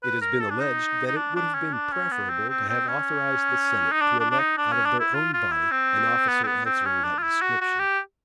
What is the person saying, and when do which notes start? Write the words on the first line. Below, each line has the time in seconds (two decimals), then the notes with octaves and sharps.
It has been alleged, that it would have been preferable to have authorized the Senate to elect out of their own body an officer answering that description.
0.03 B4
0.22 A#4
0.41 A4
0.50 D4
0.60 D#4
1.07 D#4
1.17 D4
1.36 D4
1.54 C#4
1.73 D4
1.92 C#4
2.11 B3
2.30 C4
2.49 C4
2.69 C4
2.88 C#4
3.92 D#4
4.01 D4
4.20 D4
4.30 D4
4.39 D#4
4.58 D4
4.72 C#4
4.86 D4
5.00 E4
5.14 F4
5.33 F4
5.52 E4
5.72 C4
6.28 B3
6.44 C4
6.47 B3
6.66 C4
6.85 C#4
7.04 D4
7.18 F4
7.23 E4
7.42 F#4
7.61 F#4
7.79 G4